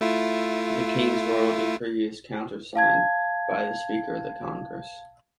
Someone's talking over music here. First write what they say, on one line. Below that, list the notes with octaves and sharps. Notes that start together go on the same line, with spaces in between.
The king's royal decree is countersigned by the Speaker of the Congress.
A3 E4 F4
F5 A5 G#6